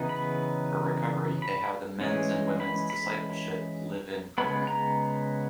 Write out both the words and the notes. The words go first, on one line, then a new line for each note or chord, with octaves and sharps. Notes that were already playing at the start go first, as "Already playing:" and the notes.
For recovery they have the Men's and Women's Discipleship live in program.
Already playing: C#3 E3 B3 D#4
B5
B5
E3 G#3 C#4
B5
B5
C#3 G#3 B3 B5
A#5